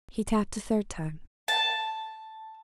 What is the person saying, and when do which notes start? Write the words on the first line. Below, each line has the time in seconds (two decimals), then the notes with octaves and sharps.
He tapped a third time.
1.48 A5